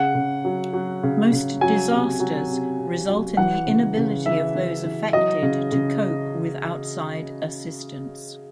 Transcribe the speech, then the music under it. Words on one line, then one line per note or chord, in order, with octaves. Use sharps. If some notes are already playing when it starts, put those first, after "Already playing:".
Most disasters result in the inability of those affected to cope with outside assistance.
Already playing: C#3 F#5
C#3
F#3
F#3
C#3
C#3
F#3 G#5
C3
F#3
C3
C3
F#3
E3 F#5
C#3
C#3
E3 E5
E3
E3
F#3 D#5
C#3
C#3